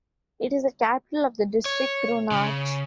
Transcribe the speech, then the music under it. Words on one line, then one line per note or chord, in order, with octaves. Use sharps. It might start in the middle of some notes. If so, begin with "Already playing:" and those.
It is the capital of the district Kronach.
C#5
C#3